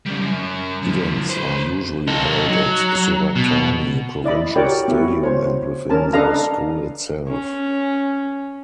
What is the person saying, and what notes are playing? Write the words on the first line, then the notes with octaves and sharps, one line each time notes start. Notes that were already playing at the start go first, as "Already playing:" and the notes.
Events are usually held at Surat Thani Provincial stadium and within the school itself.
C#3 G3
F#2
D3 F3
B4 C5
D#4 A4
F#3
B2
E4 D5 D#5 B5
F#4 G4 A#4 C#5 D5 G5
B3 E4 F#4
C5 C#5
C#4 A#4 A5
D4 A4 B4 D#5 F5 A#5
C#4